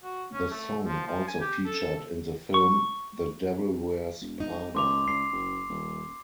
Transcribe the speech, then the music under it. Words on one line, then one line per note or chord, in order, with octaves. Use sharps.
The song also featured in the film "The Devil Wears Prada".
F#4
C#4
A3
F3
F3
G#5
G4
A4
C#6
E1
D#4
C#2 C6 D6 F7
C#2 C7
F#1
D#1